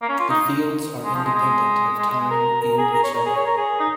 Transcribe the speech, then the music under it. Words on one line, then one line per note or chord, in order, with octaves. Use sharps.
The fields are independent of time and each other.
A#3
C#4
F4
D#4
G#3
F3
G#3
G#3
G#3
G#3
G#3
A#4
A#4
G#4
A#4
C#5
A#4
G#4
C#5
A#4
G#4
D#4